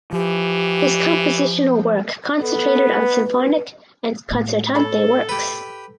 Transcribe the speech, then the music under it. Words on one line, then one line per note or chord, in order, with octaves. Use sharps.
His compositional work concentrated on symphonic and concertante works.
E3 F3 G4
B3 A4
B4
A2
A4 C#5 B5
G4 B4